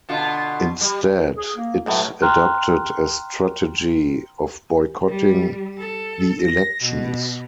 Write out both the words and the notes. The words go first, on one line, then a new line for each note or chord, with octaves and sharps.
Instead, it adopted a strategy of boycotting the elections.
B2 D3 F4
G3
G#4
A#3
B1 F#2 A2 A3
G5 A#5 C6 F6 F#6
G3
A4
A#6
B2